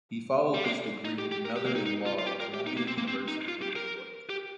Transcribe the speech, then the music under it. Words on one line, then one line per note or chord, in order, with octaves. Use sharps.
He followed this degree with another in law at Columbia University in New York.
G3
A#3
D#4
G4
G4
A#4
G4
A#3
D#4
D#4
F4
F4
G4
A#4
G4
D#4
A#3
C4
A#3
C4
D#4
F4
G4
A#4
G4